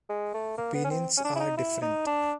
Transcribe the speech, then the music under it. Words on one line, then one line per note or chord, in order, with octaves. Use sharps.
Opinions are different.
G#3
A3
A#3
B3
C#4
C4
C#4
D4
E4
D#4
E4
D#4
D4